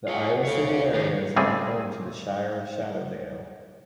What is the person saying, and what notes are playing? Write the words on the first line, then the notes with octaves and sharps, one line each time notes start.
The Iowa City area is now home to the Shire of Shadowdale.
F4 G#4 C#5
D2 C#5 F5
D#3 G4 G#4
C#2 G3 A3 C4 G#4